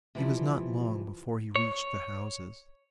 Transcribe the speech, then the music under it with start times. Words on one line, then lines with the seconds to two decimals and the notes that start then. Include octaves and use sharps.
He was not long before he reached the houses.
0.15 C3 E3 F3 G3
1.56 C#5